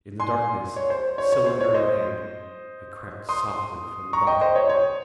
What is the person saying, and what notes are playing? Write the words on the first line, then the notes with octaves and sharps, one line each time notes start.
In the darkness, cylinder in hand, I crept softly from the bunk.
G#5 C6
C#5
C5
C#5
C#5
C5
C#5
C5 D#5
C6 D#6
A#5 C#6
D#5 G5
C5 D#5
C#5
C#5